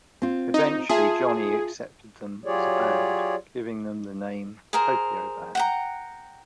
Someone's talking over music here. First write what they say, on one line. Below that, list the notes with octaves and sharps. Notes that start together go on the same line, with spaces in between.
Eventually, Johnny accepted them as a band, giving them the name "Tokio Band".
C4 F4
D#4
F4 G#4 E5 A5
F#3 F4 G4 G#4 C#5 D5
G#4 A#4 C5
F#5 G5 A#5